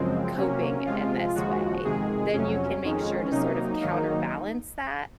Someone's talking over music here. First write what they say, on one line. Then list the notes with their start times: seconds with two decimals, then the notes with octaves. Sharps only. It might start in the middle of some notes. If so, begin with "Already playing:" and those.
coping in this way," then you can make sure to sort of counterbalance that
Already playing: F#2 C#3 F3 G#3 C4
0.37 C3 F#3 A#3 C#4
0.86 C3 F3 G#3 F4
1.35 D#2 C#3 F3 G#3 F#4
1.84 F2 C3 D#3 G#3 G#4
2.33 F2 C3 F#3 C#4
2.82 F2 D#3 G#3
3.31 C3 F#3 A#3 D#4
3.81 G#2 D#3 F#3 A#3 D#4